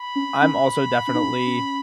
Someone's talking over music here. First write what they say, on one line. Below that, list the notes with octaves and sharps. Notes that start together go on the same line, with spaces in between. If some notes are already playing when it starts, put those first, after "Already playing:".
I'm also definitely
Already playing: B5
C#4
C#4
C#4
D#4
C#4
C#4